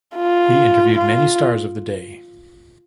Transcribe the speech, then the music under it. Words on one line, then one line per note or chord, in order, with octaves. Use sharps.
He interviewed many stars of the day.
F4
F4